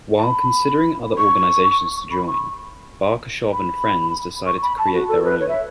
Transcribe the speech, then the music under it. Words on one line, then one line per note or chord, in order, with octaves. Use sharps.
While considering other organizations to join, Barkashov and friends decided to create their own.
A5
B5
C#6
B5
C#6
B5
C#6
B5
A5
F#4
A4
B4
C#5
E5